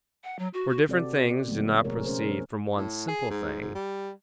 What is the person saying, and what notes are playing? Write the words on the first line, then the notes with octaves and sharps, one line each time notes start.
For different things do not proceed from one simple thing.
F#5
F#3
F#4
F#4
C3 C4 F#4 G4 A4 D5
C#3 F3 G#3 A3 B3
B2 A3 G#4 A#4 C#5
C#4 G#4 A#4 C5
A2
G#4
G#2
G#2
G3